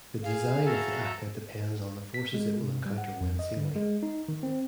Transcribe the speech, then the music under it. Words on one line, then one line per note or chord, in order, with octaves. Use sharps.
The design of the aka depends on the forces it will encounter when sailing.
G#4 F5
F#4 A4 E5 A#5
B6
G#3
C3
G3
F#5
F2
D#5
D3
G#3
D#4
D#3
C4